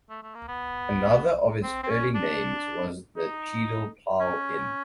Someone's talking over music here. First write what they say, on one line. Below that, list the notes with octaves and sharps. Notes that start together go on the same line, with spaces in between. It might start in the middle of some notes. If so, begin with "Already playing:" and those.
Another of its early names was the Cheadle Plough Inn.
A3
A3
A#3
B3
C4
C4
C#4
D4
D#4
C#4